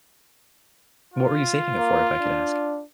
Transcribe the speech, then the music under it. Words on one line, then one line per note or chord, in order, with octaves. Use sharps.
What were you saving it for, if I could ask?
F4
A#3
D4